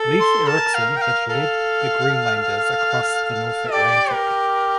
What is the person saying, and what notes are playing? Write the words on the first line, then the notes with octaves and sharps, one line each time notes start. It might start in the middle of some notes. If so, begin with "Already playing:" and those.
Leif Erikson has led Greenlanders across the North Atlantic.
Already playing: A4
C6
A#4 A5
F5
G5
F5
A4 F5
A4
G4 D5
A#4